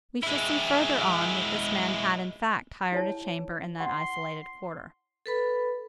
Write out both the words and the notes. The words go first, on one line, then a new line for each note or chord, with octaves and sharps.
We shall see further on that this man had, in fact, hired a chamber in that isolated quarter.
G#3 E4
E4 C#5 A5
F#5 C6
A4 B4 B5